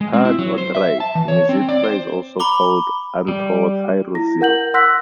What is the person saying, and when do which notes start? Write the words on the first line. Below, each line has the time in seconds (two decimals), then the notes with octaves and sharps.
Hard or dried mizithra is also called "anthotyro xero".
0.01 G#3
0.13 C4
0.25 E4
0.39 F#3
0.58 C5
0.75 E5
1.00 A5
1.15 E3
1.28 C#5
1.49 C4
1.68 D5
1.84 C5
2.40 A#5 B5 D6 G7
3.28 G3
4.15 E4 A#6
4.41 A#4 F#5 G6 F#7
4.74 F#5 C6 E6 F#6 A#6 B6